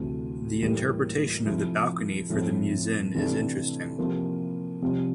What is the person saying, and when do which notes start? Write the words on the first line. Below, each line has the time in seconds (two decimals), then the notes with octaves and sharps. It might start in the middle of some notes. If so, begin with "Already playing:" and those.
The interpretation of the balcony for the muezzin is interesting.
Already playing: D2 C3 E3 A3
0.62 A2 E3 G3 A#3
1.46 C3 F3 A3 E4
2.30 A2 F3 C4 E4
3.14 C3 E3 A3 D4
3.98 C3 F3 A#3 E4
4.82 C2 C3 F3 C4